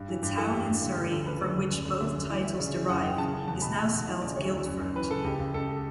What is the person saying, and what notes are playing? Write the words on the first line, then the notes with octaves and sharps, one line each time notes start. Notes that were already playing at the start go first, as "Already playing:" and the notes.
The town in Surrey from which both titles derive is now spelt "Guildford".
Already playing: G2
E3
G2 G4
E3 A4
G2 G4
G2
D3
D3
D2 A4
C#3 B4
D2 D5
D2
F#2
D3
D3 E5
F#2
E3 D5
E3 E5
C#3
E3
F#2 F#5
F#2 G5
C#3 A5
C#3
E2 A5
B2 B5
B2 A5
B2 F#5
E3 E5
C#3 D5
D2 C#5
D2
F#2
F#2
E3 B4
C#3 A4
C#2 G4
C#2
C#2 A4